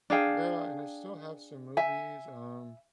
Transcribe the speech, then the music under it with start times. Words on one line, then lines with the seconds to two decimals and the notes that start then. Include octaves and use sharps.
Yeah, and I still have some movies, um,
0.10 D4 G#4 F5 G5
1.77 E5 G#5